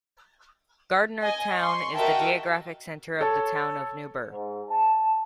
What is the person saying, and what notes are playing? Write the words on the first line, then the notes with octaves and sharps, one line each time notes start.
Gardnertown is the geographic center of the Town of Newburgh.
D#5 G#5
C6 C#6
F#4 A#4 D#5 E5 G5 A5
A4 C#5 A5
G#2
A5